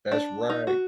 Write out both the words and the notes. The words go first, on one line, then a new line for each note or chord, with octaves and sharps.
that's right.
D4
D#4
F#4